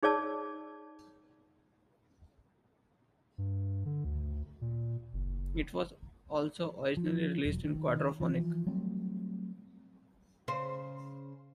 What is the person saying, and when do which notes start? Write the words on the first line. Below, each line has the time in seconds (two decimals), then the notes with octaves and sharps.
It was also originally released in quadrophonic.
0.03 D#4 G#4 C#5 D5 A5 E6
3.38 G2
3.85 D3
4.04 D2
4.61 A#2
5.13 F#1
6.97 F3
7.45 E1 F#3
7.64 D#3
8.20 E3 F3
8.66 F#3 G3 A3 C4
10.48 C#3 C5